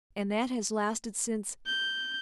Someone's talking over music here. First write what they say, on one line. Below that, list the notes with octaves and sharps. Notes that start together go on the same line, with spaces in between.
"And that has lasted since--?"
G6